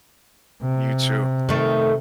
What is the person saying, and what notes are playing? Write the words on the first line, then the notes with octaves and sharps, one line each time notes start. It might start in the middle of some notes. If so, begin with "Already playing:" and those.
You too.
C3
D#3 A3